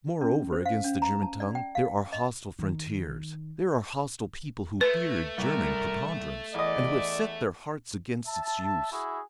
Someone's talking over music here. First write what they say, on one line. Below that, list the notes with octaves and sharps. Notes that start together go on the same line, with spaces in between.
Moreover, against the German tongue there are hostile frontiers, there are hostile people who fear German preponderance, and who have set their hearts against its use.
C#4
C5
F5
C#4
A#5
A5
D5
G5
F5
D#5
D#3
A3 B4
C2 A#4
E2 D5 D#5
E5 A5
E4 F#4 G#4